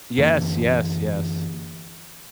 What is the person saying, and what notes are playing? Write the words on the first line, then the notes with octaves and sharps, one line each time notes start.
Yes, yes, yes.
F#2 D3 E3 A#3